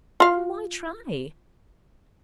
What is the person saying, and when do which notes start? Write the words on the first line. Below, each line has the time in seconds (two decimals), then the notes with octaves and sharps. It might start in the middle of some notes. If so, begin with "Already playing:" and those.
Then why try?
0.20 F4 F5